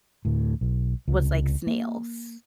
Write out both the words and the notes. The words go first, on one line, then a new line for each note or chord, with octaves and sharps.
was like snails.
D2 A2
B1
C#2 C3
A#3